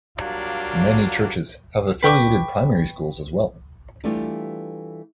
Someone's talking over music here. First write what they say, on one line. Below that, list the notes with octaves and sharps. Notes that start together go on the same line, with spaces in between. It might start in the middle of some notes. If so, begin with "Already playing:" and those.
Many churches have affiliated primary schools as well.
F#3 G3 A#3 D4 F4
B4 G5 C#6 D6
E3 G3 A3 D4 F4 G4